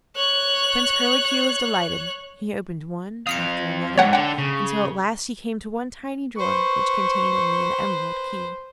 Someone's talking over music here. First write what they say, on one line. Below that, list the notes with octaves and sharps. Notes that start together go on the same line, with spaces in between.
Prince Curlicue was delighted; he opened one after another, until at last he came to one tiny drawer which contained only an emerald key.
C#5 F#6
F2 F5 D#6 B6 C#7
E2 G#2 C#5 F#5 G5
D3 A4 F#5 G5
C#3
B4 C5 C#6